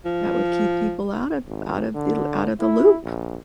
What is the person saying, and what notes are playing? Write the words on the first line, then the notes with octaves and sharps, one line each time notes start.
That would keep people out of out of the out of the loop.
F3
G#1
D3
E4
A#1